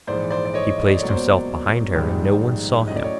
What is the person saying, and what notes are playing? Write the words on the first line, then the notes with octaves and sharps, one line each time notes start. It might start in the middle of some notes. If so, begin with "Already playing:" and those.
He placed himself behind her, and no one saw him.
A#1 G#2 E3 C5 D5
C5 D5
D5
C#5 D#5
D#5
D5
C#2 B2 F#3 A#3 C#5
C5 D5
A#1 G#2 D#3 G3
A2 F#3 A3 C#4 E4 D#5
D5
C#5